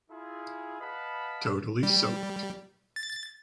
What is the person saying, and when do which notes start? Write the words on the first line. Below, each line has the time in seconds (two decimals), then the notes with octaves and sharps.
Totally soaked.
0.11 E4 F4 G#4
0.80 B4 D#5 F5 F#5 A5 B5
1.83 G3
2.96 A6